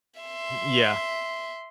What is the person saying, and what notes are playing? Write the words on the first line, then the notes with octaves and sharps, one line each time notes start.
Mm, yeah.
E5 C6